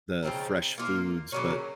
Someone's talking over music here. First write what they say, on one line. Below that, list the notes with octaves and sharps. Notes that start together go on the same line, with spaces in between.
the fresh foods, but
C#3 F3 C4 D#4
A#3 F4 A#4
C#3 F#3 A#3 C#4